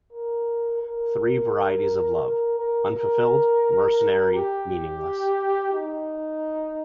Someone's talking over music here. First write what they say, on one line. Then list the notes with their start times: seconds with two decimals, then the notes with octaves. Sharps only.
Three varieties of love: unfulfilled, mercenary, meaningless.
0.12 A#4
0.83 A#4
2.22 A#4
2.58 A#4
2.92 A#4
4.33 G4
5.73 D#4